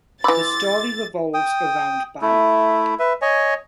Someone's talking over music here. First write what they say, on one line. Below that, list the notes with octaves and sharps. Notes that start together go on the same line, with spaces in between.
The story revolves around Balu.
E3 B5 C6 D6 E6 A6
G5 D#6
A3 E4
B4 E5
C#5 D#5 G#5